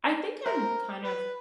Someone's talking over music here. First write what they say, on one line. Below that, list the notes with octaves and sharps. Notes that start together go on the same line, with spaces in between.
I think I'm, kind of,
A#4 C5 E5 B5
B4